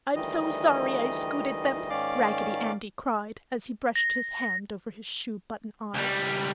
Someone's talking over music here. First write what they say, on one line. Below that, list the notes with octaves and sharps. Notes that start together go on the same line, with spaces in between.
"I'm so sorry I scooted them!" Raggedy Andy cried, as he brushed his hand over his shoe button eyes.
D2 D#3 E3 G3 D#5
G#2 D#3 C#4 D5 F5 D6
A#6
C#2 G3